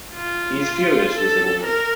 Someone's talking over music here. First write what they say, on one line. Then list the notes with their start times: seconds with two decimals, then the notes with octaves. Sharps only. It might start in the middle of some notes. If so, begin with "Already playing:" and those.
He is furious with the woman.
0.14 F4
1.15 A4
1.65 A#4